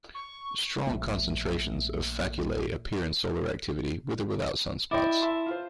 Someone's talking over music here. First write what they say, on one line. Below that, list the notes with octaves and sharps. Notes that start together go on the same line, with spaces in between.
Strong concentrations of faculae appear in solar activity, with or without sunspots.
C#6
A#1 A3
E4 D5 D#5 G5
E5 A5 C6
F4 C5